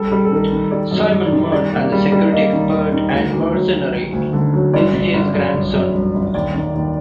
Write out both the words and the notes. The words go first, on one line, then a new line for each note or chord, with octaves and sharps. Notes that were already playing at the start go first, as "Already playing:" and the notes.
Simon Mann, the security expert and mercenary, is his grandson.
Already playing: G3 A4
G3
A4
D#3 A#4
D#3
G3 D5
F#2
D#5
F#2
D5
D#3
G3 D5
A#3
G3
G3
A#3 D#5
D#3
D#2
D#3
D2
D2
F#3
F#3
F#3
D2
D3
F#3
G1 D5
G1
G1
F#2
G1
F#2
G1
G1
D#2 D5
D#3
D#2